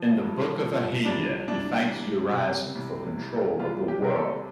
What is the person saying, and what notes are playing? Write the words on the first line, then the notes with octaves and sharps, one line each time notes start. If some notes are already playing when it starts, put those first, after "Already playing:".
In "The Book of Ahania" he fights Urizen for control of the world.
Already playing: F3
G2
F3
C2 D4
C2 D4
C2
C3
C2
C2
C2 F4
G4
C3 A#4
A4